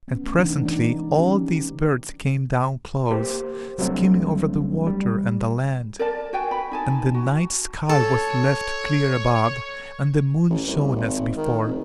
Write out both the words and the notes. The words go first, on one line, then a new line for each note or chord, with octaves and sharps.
And presently all these birds came down close, skimming over the water and the land; and the night-sky was left clear above, and the moon shone as before.
B3 C#4
A3
C3 E3 D4 D#4
E3 G#3 A#3 D#4 D5
B3 C#4 G4
A#3 G4 C5
C2 F#3 G3 A3 C4 D4
G3
A#4 D5 A5
F#4 B4 G5 G#5
B5
D#4 G#5 A5
F#4
A4 C#5
A1
C2
G#1
D#3
F1